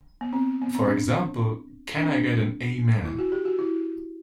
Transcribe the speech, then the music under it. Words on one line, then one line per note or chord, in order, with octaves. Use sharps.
For example Can I get an Amen?
B3
C4
B3
C4
D4
D4
C4
D4
E4
F#4
G4
F#4
E4